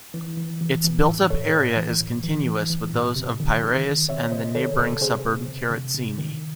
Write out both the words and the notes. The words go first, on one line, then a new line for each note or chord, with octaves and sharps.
Its built-up area is continuous with those of Piraeus and the neighbouring suburb Keratsini.
E3
E3
E3
E3
A2
A2 A4 C#5
A2
E3
A2
E3
E3
E3
A2
C3
D#3
D#3
D#3
C3 C#5 E5
C3 C5 D#5
D#3 A4 C#5
C3 A4 C#5
C3 G#4 C5
C3
C3
C3
C3
D#3